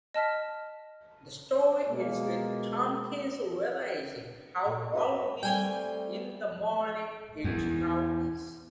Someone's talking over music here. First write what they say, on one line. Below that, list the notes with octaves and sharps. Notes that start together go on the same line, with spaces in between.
The story ends with Tompkins realizing how early in the morning it now is.
D#5 A5 F6 B6
B2 G#3 A#3
A#2
F#4 G4 B4
G3 A3 C4 G5 G#5
E2